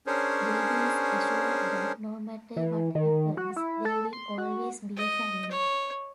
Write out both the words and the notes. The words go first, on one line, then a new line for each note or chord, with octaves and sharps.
Baby is assured that no matter what happens, they will always be a family.
C#4 D4 G#4 A#4 C5 C#5
E3
D#3
F#4
E4
A4
C6
F#4
D#5
C#5